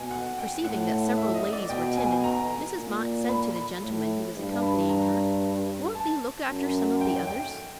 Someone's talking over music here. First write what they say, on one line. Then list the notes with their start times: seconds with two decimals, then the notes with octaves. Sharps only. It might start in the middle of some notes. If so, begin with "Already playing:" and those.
Perceiving that several ladies were timid, Mrs. Mott said to the gentleman who was accompanying her, "Won't thee look after some of the others?"
Already playing: B2 G#5
0.11 F#5
0.38 G5
0.64 A2 F#5
1.18 E5
1.34 D#5
1.45 D#5
1.53 D5
1.70 B2 G5
1.97 G#5
2.24 A#5
2.76 A#2
3.29 B5
3.56 B5
3.82 A2
4.36 G2
4.63 B5
4.89 A#5
5.95 A5
6.48 F#2
7.01 G5
7.27 G5